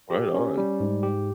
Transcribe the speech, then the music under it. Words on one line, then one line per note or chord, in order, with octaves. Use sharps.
Right on.
G4
C#4
G3
G#2
G4